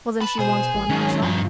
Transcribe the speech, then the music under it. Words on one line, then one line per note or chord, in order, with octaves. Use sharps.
Wasn't she once one herself?
B4 A5
B2 G#4 C5 E7
A1
D#3 F#3 G#3 C#4
G2 D#3 F3